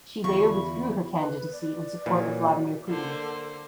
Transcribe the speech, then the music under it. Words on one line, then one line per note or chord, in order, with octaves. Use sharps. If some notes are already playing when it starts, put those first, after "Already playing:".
She later withdrew her candidacy in support of Vladimir Putin.
E2 D3 F4 B5 C#6
B4
D5
A#2 E3 F#3
D3 A#3 C5